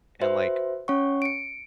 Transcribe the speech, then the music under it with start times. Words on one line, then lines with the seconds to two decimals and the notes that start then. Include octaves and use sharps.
and, like,
0.21 F#4 B4 C5 E5
0.88 C#4 C#5 F#5 C#6
1.22 C#7 D7